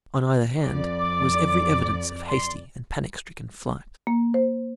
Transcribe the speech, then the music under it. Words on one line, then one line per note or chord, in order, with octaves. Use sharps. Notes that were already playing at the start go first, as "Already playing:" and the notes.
On either hand was every evidence of hasty and panic-stricken flight.
F2 D5
D6
C6
A#3
C5